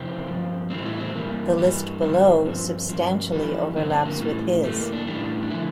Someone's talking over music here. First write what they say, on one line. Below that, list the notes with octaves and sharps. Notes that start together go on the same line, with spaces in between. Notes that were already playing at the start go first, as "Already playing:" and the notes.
The list below substantially overlaps with his.
Already playing: F2 C3 E3 C4
G2 F3
A2 E3 G3 C4
E4
C4
G2 E3 G3 A#3
G2 E3 G3
G2 D3 G3 C4
G2 F3
G2 F3
F2 E3 G3
G2 D3 F3 C4
C4
A#3
A2 E3 G3
G2 E3 G3 A3
A#3
D4
A2 E3 G3 D4
D4
D3 F3 E4